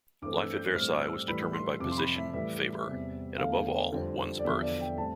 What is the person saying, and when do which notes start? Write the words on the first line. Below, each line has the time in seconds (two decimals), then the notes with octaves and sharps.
Life at Versailles was determined by position, favour, and, above all, one's birth.
0.22 G2 E3 A3 C4 D6
0.40 E6
0.57 G6
0.75 A2 G3 C4 F6
1.02 E6
1.27 A2 E3 G3 B5
1.54 C6
1.80 F2 C3 F3 D6
1.91 C6
1.97 B5
2.16 E5
2.33 A2 E3 G3 E5
2.86 E2 C3 G3 C4
3.38 E2 D3 A3 F5
3.92 F2 D3 G3 C4
4.39 D5
4.44 E2 D3 F3 E5
4.62 D5
4.80 G5
4.97 A2 G3 C4 A5